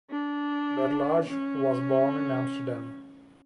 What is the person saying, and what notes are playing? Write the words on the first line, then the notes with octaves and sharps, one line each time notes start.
Berlage was born in Amsterdam.
D4
C#4